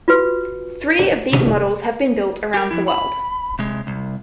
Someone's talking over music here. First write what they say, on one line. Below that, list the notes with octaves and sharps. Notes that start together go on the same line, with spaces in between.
Three of these models have been built around the world.
F4 F#4 B4
G4 A#4
F3 E4
B5
C3 G#3
C2